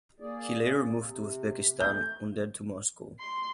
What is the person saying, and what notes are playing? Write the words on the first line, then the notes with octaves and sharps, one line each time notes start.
He later moved to Uzbekistan and then to Moscow.
A#3 G#4 D5
C3
A3 G6
C6